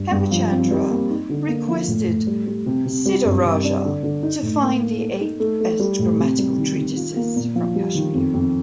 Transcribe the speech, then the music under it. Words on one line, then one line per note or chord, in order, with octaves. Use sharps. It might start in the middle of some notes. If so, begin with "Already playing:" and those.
Hemachandra requested Siddharaja to find the eight best grammatical treatises from Kashmir.
Already playing: G2
G2
F3
C4
G3
A#3
D#4
D3
A#3
F3
A2
A2
G3
G3
C3
C3
G3
G2
C3
D4
D3
D3
D#4
A2
A#3
A#3
A4
D#4
A3
A3
G3
A2
C3
G3
D#3
D#3
F4
A#3
A#2
F3
G3
D#3
F2
F2